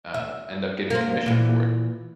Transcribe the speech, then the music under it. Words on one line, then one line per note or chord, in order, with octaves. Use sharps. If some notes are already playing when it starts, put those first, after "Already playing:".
uh, end up getting commission for it.
E5
A#3 C5
A#2 E3